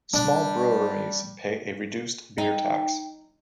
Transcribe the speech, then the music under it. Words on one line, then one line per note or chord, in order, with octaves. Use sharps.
Small breweries pay a reduced beer tax.
G3 D4
D#4 G5